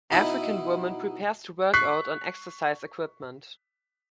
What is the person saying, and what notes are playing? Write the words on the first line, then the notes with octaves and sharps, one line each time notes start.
African woman prepares to workout on exercise equipment.
B2 D#4 E4
C#6 F#6 B6 C7